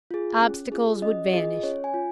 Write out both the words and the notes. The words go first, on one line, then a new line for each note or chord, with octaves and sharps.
Obstacles would vanish.
F4 G#4
C#4
F4 G#4
C#4 D#5
F4 G#4 D#5
C#4 C#5
G#5
F4